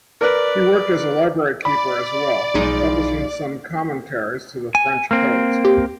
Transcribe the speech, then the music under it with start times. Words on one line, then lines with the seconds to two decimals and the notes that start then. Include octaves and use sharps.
He worked as a library keeper as well, publishing some commentaries to the French Codes.
0.21 A#4 B4 D5
1.65 D5 B5
2.54 B1 F3 G#3 D#4
4.75 G#5
5.11 A#3 C4
5.65 G4